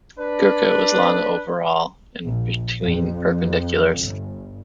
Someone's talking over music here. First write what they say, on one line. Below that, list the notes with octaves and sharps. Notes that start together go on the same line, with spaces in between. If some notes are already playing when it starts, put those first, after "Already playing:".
"Gurkha" was long overall and between perpendiculars.
D4 B4
A#1
F2
G1